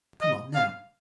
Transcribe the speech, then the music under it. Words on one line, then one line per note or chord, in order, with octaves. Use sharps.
"Come on--now."
D#5
F5